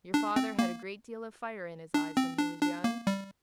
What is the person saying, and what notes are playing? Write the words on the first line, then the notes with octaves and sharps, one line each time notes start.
Your father had a great deal of fire in his eyes when he was young.
D4
C4
A#3
D4
C4
D4
D4
A#3
G3